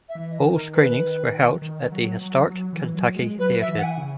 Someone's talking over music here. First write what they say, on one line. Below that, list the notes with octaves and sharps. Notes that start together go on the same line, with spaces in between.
All screenings were held at the historic Kentucky Theater.
E5
E3
D#5
D#3
A#4
B4
D#3
F#3
F#3
F#3
E3
F#3
G#3
F#3 B4
E5
E3
F#5
G#5
C#3